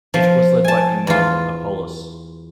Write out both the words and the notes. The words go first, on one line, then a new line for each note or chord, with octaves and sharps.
It was led by Emil Appolus.
F3
G#5 A5
E2 F4